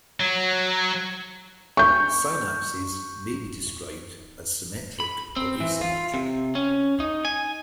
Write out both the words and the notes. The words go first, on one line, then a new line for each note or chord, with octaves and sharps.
Synapses may be described as symmetric or asymmetric.
F#3
C#6 G6
B5
C4
E3
F4
C3
C#4
D#4
G#5